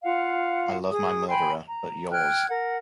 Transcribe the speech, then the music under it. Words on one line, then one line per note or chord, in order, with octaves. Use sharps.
I love my murderer — but yours!
F4 F5 F#5
G#4 D#6
G5 G#5 B5 C6
A#5
G5 F6 F#6 G#6
A#4 F#5